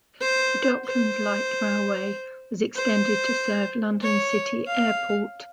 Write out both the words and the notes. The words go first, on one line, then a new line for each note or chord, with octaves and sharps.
The Docklands Light Railway was extended to serve London City Airport.
C5
C5
C5
C#5
F5